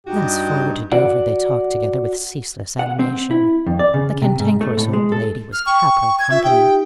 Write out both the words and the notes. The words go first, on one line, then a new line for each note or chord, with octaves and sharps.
Thenceforward to Dover, they talked together with ceaseless animation. The Cantankerous Old Lady was capital company.
G2 D#4 F#4 G4
F#4 D5 F#5
F#5
C4
E4
F2
D5
C#3
C3
G#2
A3
A2
G#3
A4
F6
G5 C#6
G#6
F4 E5
D#4 G4 G5